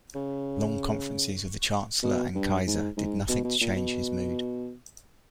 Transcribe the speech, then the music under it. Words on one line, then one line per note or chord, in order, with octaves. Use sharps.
Long conferences with the Chancellor and Kaiser did nothing to change his mood.
C#3
B2
G2
G#2
G#2
B2
B2
A#2
B2